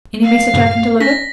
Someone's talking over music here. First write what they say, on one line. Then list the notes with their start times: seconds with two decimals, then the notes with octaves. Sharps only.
"Any message I can deliver?"
0.23 F5
0.54 G2 A#2 C#3
1.00 C#4 A#6 B6